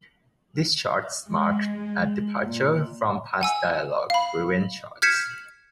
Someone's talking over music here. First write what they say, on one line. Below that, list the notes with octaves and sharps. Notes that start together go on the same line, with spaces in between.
These shorts marked a departure from past dialogue-driven shorts.
G#3
A#2
F#5 G#5 E6
F5 B5
F6 G6 G#6 B6 C#7 E7